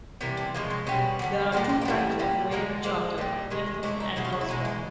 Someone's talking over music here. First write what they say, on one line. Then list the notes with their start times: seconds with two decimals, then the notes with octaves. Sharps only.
There are two types of voyage charter - net form and gross form.
0.21 C3 E3 G3 A#3
0.37 A3
0.54 C#3 F3 G#3 A#3
0.70 C4
0.87 B2 G3 C#4
1.19 D3 F#3 A3
1.52 A#2 F3 G#3 C4
1.69 C4
1.81 A#3
1.85 A2 E3 G3 B3
2.19 A#2 G3
2.51 D3 F3 G#3 A#3
2.84 D3 F3 G#3 A#3
3.18 A#2 G3
3.50 C3 D#3 G#3
3.83 C#3 E3 A3 D4
4.00 D#4
4.16 C#3 F#3 A3 E4
4.25 F4
4.33 F#4
4.41 E4
4.48 B2 G#3 D#4
4.65 D4